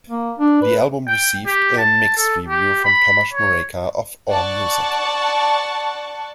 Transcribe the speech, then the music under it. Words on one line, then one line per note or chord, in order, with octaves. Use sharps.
The album received a mixed review from Tomas Mureika of "Allmusic".
A#3
D4
B4
G5
G4
A5
A4
G4
B5
C#5
D5 F#5 A5 C#6